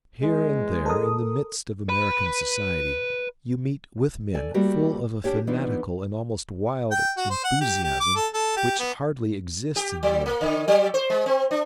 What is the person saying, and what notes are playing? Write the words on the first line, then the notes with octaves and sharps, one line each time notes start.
Here and there, in the midst of American society, you meet with men, full of a fanatical and almost wild enthusiasm, which hardly exists in Europe.
E2 G#3
A4 A#4 D#6
B4 B5
A4 D5 G#5
G3 A3 A#3 F#4 G4
C#4 D4 G4 C#5
E3 B3 D4 D#4 F4
G5
F#4
C5
F#5
G4
G4
D6
A4
A4
G4
B3
G4
F#3
A#3
D3
F#3
C5
G#3
C4
D4